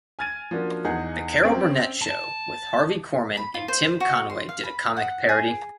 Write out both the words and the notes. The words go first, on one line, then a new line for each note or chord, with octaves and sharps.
"The Carol Burnett Show" with Harvey Korman and Tim Conway did a comic parody.
G#5 F6 G#6 A6 D#7
F3 A#3 C#4 D4 F#4
E2 D#4 G#4 F#5 G6
C4 C#4 D7
A5
B5
F4
C5
F#4
C6
F5
B5
F#5
G#4